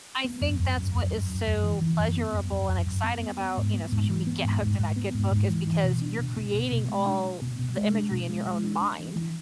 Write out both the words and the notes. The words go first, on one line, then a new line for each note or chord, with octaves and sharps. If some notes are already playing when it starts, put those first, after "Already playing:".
I think that's what is so pleasurable and exciting about, you know, especially when you get hooked in that good book is because you're creating all the imagery in your own mind,
B3
F#2
F#2
F#2
F#2
F#2
F#2
F#2
E3
E3
F#2
B3
F#2
F#2
F#2
F#2
B3
B3
B3
G#2
B3
G#2
E3
B3
G#2
G#2
G#2
B3
G#2
G#2
E3
E3
B2
D4
B2
B2
B2
B2
G#3
D4
D4
B2
B2
G#3
D4
B2
G#3
G#3
D4
D4
E3
E3